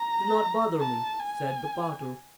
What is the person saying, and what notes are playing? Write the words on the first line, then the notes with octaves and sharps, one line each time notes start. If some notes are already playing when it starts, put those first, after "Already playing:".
"Do not bother me," said the potter.
Already playing: A#5
A5
G#5